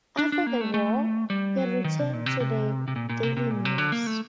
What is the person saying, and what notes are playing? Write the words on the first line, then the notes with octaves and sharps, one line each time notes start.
After the war, he returned to the "Daily News".
D4
D4
A#3
A3
A3
G3
F#3
D#3
C3
A#2
C3
C3
C3
A#2
A#2
C3
C3
A#2
C3
D3
A#3
A3